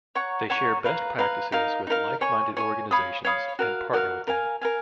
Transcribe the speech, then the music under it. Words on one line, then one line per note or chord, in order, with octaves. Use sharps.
They share best practices with like-minded organizations and partner with them.
C#5 F#5 A#5 C#6
C#5 F#5 A#5 C#6
B4 F5 A#5
B4 F5 A#5
D#4 A#4 F5
D#4 A#4 F5
C#5 G#5 C#6
C#5 G#5 C#6
C#5 F5 B5 D#6
C#5 F5 B5 D#6
F#4 A#4 F5
F#4 A#4 F5
A#4 F5 G#5
A#4 F5 G#5